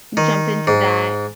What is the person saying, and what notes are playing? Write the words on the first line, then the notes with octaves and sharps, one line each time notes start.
jump into that,
D#3
G#2